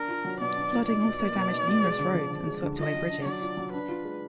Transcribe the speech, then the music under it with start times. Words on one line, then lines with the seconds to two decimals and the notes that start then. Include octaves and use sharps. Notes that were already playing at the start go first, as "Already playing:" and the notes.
Flooding also damaged numerous roads and swept away bridges.
Already playing: D4 A#4
0.08 F4
0.25 F#3
0.40 B2 D5
0.56 D4
0.73 F4
0.88 D#4 D5
1.04 B2
1.20 A#3
1.35 B2
1.51 D#4
1.67 B2
1.84 G#3
1.99 D3
2.14 F3
2.30 D3
2.47 G#3
2.62 D3
2.78 F4 D#5
2.94 F#3
3.10 D4
3.25 F#3 D5
3.41 F4
3.57 F#3
3.73 D4 B4
3.89 F4
4.04 G#3